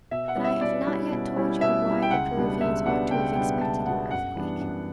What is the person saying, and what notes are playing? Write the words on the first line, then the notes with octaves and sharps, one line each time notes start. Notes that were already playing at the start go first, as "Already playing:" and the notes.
But I have not yet told you why the Peruvians ought to have expected an earthquake.
B2 E5
F#5
G3 C#4 E4
E5
B2 D5
G3 C#4 E4
B2
G3 C#4 E4
B2 E5
G3 C#4 E4
G5
C#2 F#5
B2 G3 B3 D4
C#2 E5
B2 G3 B3 D4 F#5
C#2 G5
B2 G3 B3 D4 G5
C#2 A5
B2 G3 B3 D4 F#5
F#2 F#5
E3 G3 B3 D4
F#2